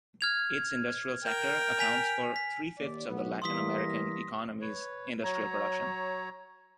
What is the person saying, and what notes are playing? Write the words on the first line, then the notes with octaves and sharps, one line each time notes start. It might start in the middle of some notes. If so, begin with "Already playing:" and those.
Its industrial sector accounts for three-fifths of the Latin American economy's industrial production.
F6 G#6 F7
A#4 G5
G#5 B6 F7
B6
D#2 D5
B1 B3
E3 G3 A#3 C6 D#6 B6
A#6
B4 C#5
F#3 C#5 A#5